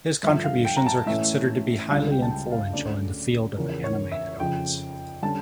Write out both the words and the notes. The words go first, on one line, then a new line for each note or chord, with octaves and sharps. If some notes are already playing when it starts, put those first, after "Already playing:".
His contributions are considered to be highly influential in the field of animated arts.
G2 D3 F3 E5
F5
G5
A#5
A5
A2 E3 A3 C#4 E5
C#2 C#3 G3 F5
G5
A5
G5
F5
D2 D3 A3 C#4 D5
E2 C#3 F3 C#4 A#4
C#5
E5
F2 C#3 F3 G5
D3 G3 C#4 A5